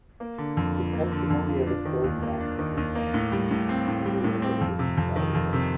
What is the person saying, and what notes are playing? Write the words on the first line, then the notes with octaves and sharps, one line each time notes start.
The testimony of a soldier on such a point is peculiarly valuable.
A#3
D3
F2
F3
A#3
D3
F2
F3
D4
D#3
D#2
A#3
D4
D#3
D#2
A#3
A2
G3
A2
C4
A2
G3
A2
C4
F2
C3
F2
D#3
F2
C3